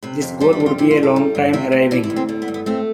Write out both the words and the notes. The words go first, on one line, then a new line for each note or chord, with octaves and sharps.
This goal would be a long time arriving.
C3 B4
F2
G3 C5
B4
F2
F4
E3 G4
F4
G2
A4
G3
G2
C3 E4
D2
E3 D4
E4
D2
C4
D3
B3
G2
B3
A3 C4